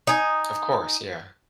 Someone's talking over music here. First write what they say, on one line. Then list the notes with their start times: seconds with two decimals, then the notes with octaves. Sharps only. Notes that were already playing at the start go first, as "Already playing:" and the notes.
Of course, yeah.
0.07 D#4 G#5